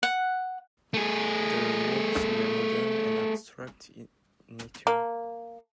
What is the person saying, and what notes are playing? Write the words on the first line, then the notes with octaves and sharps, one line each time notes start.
The works were modern and abstract in nature.
F#5
A3 G#4
A#3